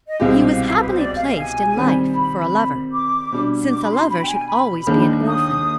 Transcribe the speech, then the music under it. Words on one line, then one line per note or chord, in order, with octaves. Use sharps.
He was happily placed in life for a lover, since a lover should always be an orphan.
D#5
C2 B2 G#3 C4 G4 F5
B4
C5
D5
F5
G#5
C3 D#3 G3 C4
B5
D6
B2 G3 D4
D6
B5
C6
B5
G5
G#5
G#5
B5
D#2 D#3 G#3 D4
D#6